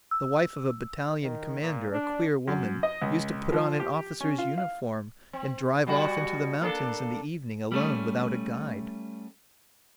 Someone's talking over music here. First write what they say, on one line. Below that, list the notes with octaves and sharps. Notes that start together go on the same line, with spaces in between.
The wife of a battalion commander, a queer woman, used to put on an officer's uniform and drive off into the mountains in the evening, alone, without a guide.
E6
D#3
A#2
D4
F#2
D#5
C#2
F3
G4
C#4
F4
F5
C4
B2 G3 F#4
A#3 D4 A4
G3 A3 C#4